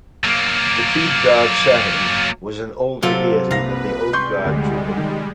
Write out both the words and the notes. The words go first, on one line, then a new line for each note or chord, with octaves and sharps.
The seed-god Saturn was an older deity than the oak-god Jupiter.
F#3 A#3
C3 F#3 F4 A4
C2 A#3 B4 F5 A#6
G3 G#3 C6 C#6 G6
D2
D#3